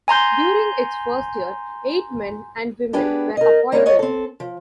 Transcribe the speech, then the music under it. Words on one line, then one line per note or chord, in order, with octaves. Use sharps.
During its first year, eight men and women were appointed.
G#5 A#5 C6 G6
B3 D4 G4 G#4 B4
A#4 D#5
G3 A#3 F4 A#4 C#5 E5
F#4 C#5 D#5
C4 A4
F3